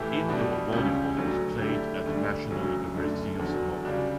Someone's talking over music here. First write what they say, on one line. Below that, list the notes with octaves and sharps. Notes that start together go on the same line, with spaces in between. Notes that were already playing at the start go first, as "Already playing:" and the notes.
Indoor volleyball was played at the National University of Samoa.
Already playing: A2 E3 A3 E4 G4
B2 G3 D4 F#4
C#2 C#3 G3 C#4 G4
D2 D3 F#3
D3 A3 E4 G4
D2 D3 G3
D2 C#3 F#3 C#4
F#2 D3 A3
E2 D3 F#3
C#3 G3 D4 F#4